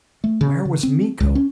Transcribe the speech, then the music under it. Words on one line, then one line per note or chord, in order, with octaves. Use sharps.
Where was Miko?
A3
C#3
C#3
C4
C#2
C#4